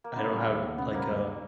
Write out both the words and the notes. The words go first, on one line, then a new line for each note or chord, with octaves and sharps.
I don't have like, uh
A#3
C#3 B3
G3
D#2
D#2
C#3 B3
G3 A#3
D#2